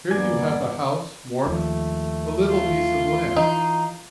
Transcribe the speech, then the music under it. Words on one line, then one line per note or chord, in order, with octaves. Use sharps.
Here you have a house, warmth, a little piece of land.
E2 G2 A#3 B3 D5 G#5
D#2 F3 A3
F4
E3 D#4